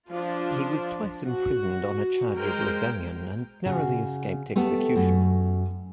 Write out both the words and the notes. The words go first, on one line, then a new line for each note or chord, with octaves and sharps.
He was twice imprisoned on a charge of rebellion, and narrowly escaped execution.
F3 D4 F4
F#4
G#3 A#4 C5 G5
C#3 F#4
A3 B3 G4 A4
F#2